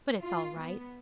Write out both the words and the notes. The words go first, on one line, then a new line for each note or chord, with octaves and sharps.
But it's all right.
F4
B3